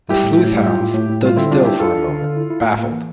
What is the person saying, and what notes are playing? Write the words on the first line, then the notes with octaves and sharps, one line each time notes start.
The sleuth-hound stood still for a moment, baffled.
G3 E4 G4
A2
A2
G3
F4
A2
A2
A2
G3 F4
D3 C4 E4
G3 D4 F4
D4 E4 G4
D4 F4 A4
D4
D3
D3
E4
E4
A2
A#3
E3